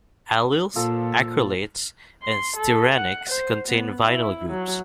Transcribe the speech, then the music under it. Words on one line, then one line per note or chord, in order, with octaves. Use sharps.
Allyls, acrylates and styrenics contain vinyl groups.
A#2 F3 A4 A#5
C6
A4
F#5
C5
B3
E4
F#3